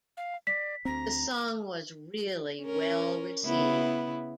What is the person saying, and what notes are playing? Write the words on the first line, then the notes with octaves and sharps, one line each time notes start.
The song was really well received.
F5
D5 B6
D2 C4 A#5
C#4 A#4
C#3 B3 E4